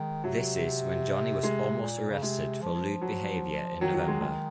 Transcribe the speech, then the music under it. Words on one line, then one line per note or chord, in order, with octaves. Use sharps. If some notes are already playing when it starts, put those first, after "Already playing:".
This is when Johnny was almost arrested for lude behavior in November.
Already playing: D#3 G#3
C3 F#3
G#3
A#2
C#3
C3 G#3
F3
F#3
D#3 F#3
F#3
G#3
D#3 G#3